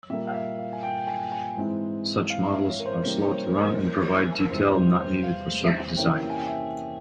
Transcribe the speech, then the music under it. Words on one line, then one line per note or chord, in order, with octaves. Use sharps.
Such models are slow to run and provide detail not needed for circuit design.
A#2 G3 A#3 E5
F5
E5
F5
G#5
G5
G#5
G#5
G#2 E3 G#3 C4 E4
F5
E5
C#5
A#4
C5
C3 E3 G3 A#3 C#4 C5
C#5
C5
A#4
C5
C5
A#4
E2 C3 G3 C5
C5
C5
F5
C3 E3 A#3 C#4 E4 G5
G5
G#5
G5
E5